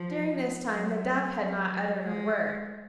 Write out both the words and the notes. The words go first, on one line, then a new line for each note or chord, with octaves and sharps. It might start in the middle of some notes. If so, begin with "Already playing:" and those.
During this time the Dove had not uttered a word.
Already playing: F3
F#3
F#3
G#3